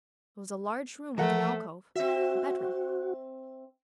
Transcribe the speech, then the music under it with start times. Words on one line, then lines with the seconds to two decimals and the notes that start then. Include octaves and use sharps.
It was a large room with an alcove--a bedroom.
1.18 E3 F3 A3 A#4 F#5
1.95 C4 F#4 E5